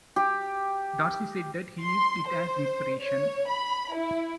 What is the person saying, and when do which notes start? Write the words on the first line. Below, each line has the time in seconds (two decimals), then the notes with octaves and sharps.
Dorsey said that he used it as inspiration.
0.16 G4
1.83 C6
2.29 C5
3.01 C#5
3.49 B5
3.95 E4